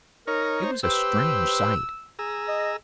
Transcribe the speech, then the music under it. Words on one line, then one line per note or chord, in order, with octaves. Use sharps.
It was a strange sight.
D#4 A#4 C#5 A#5
C5
G4 B4 C5 E6
G#4 A#5 E6
D#5